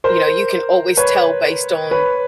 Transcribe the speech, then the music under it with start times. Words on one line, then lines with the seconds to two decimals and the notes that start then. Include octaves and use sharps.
you know, you can always tell based on,
0.04 A#4 C5
0.97 B4 C#5
1.91 B4 C#5